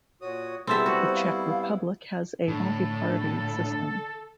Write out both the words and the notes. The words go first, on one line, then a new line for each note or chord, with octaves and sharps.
The Czech Republic has a multi-party system.
A#2 F#4 C#5 D#6
G3 B3 C4 E4 G#4 A4 E5
F#4 C5
F5
A2 D3 A4